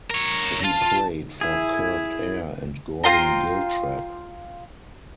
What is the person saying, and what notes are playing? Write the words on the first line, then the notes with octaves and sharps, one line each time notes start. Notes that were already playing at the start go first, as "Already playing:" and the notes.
He played for Curved Air and Gordon Giltrap.
A#4 C#5
F4 A5
E4 G#4
F4 C5 G5 A#5